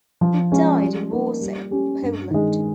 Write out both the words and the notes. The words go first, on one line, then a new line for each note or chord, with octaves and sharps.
He died in Warsaw, Poland.
F3
G#3 C#4 F4
G3
A#3 D#4
G3
C#4 G4
G2
D#3 G#3